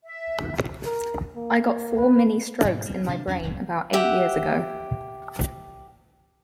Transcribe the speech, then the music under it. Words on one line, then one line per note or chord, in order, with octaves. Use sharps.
I got four mini strokes in my brain about eight years ago.
E5
A#4
A#3
B4
G#2 B2 F#3
G3
C3 D#3 D4
E2 C#4 D4
C2 F#2 A2
G4 E5 F#5